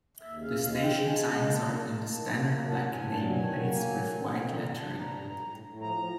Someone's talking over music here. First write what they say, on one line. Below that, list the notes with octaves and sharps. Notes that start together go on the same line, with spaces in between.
The station signs are in the standard black name plates with white lettering.
D#2 E5
C#3
F5
D#2
F5
G#3
C#3 G5
G#3
G#5
C#3 A5
G#3
A#3 A5
A#3
A#3 A5
A#3
D#3
C3
A#3
F#3
G2 A5
G2 G#5
G2
F#3 A5
D#3 G#5
F#3
A#3
F#3
D3
D3
C4
D3
G2 A#5
G2 A5
G3
G2 A#5
A2
A2
A2
A2
F3 A#5
F3